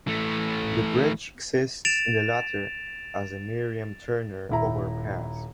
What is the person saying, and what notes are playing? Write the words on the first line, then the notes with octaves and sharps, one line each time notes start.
The bridge exists in the latter as the Miriam Turner Overpass.
E3 A3
A6 D7 E7 F7
D#1 E4 A#5